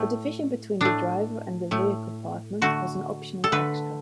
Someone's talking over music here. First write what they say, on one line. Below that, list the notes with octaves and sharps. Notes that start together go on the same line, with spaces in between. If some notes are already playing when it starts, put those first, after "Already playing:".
A division between the driver and the rear compartment was an optional extra.
Already playing: A2 A3
A2 A3 D4
A2 A3
D3 A3 F#4
A4
D3 A3 B4